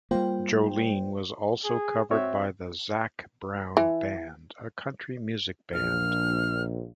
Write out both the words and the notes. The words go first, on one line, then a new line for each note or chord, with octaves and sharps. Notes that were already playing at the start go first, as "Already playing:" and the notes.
"Jolene," was also covered by the Zac Brown Band, a country music band.
G3 G#3 A#3 F4 C5 G5
G#4
C4 F#4 C#5 E5
E3
A#1 F6